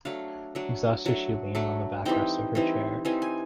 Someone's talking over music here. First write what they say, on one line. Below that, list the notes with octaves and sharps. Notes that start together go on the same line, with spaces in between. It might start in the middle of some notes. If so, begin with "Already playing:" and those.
Exhausted she leaned on the backrest of her chair.
F#3 A3 D4 F5
F#3 A3 D4
F#3 A3 D4
F#3 A3 D4
E3 G3 C4 D#4 G5
E3 G3 C4 D#4
E3 G3 C4 D#4 G#5
G#5